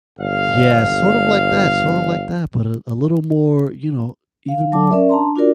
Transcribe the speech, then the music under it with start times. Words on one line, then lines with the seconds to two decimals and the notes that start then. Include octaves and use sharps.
Yeah, sort of like that, sort of like that, but a a little more, you know even more
0.19 G1 F5
4.48 F5
4.72 F#3 A5 D6
4.91 C#4 A#4 D5 E5
5.09 D4 A5 A#5 C6
5.36 D4 F4 F#4 A#4 D5